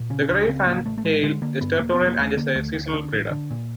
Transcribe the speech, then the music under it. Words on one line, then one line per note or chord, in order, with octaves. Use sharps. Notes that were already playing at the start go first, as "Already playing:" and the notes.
The grey fantail is territorial and it is a seasonal breeder.
Already playing: A#2
C#3 C#4
C#4
C#2 D4
C#3 C4
A1 A#3
A1 A3
A3
A1 G#3
D3 G#3
D3 A#3
G2 B3
E1 A#3
B3
E1
A#3
D#2 A3
D3 A#3
D2 A3
D2
D3
A1
D3
A#2